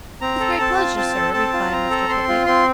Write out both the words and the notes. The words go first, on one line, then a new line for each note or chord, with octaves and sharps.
'With great pleasure, Sir,' replied Mr. Pickwick.
C4 A#5
A4
C4 A5
F4
C4 A5
A4
C4 A5
F4
C4 A#5
A4
C4 C6
F4
C4 C6